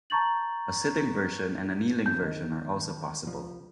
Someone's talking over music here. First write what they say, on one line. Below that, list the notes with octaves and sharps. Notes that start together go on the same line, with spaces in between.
A sitting version and a kneeling version are also possible.
A5 A#5 C#6 G6 A6 F#7
F3 C4 A5 G6
D#3
C2 F3